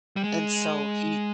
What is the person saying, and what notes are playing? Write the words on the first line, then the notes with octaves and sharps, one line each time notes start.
and so, he,
G3
G#3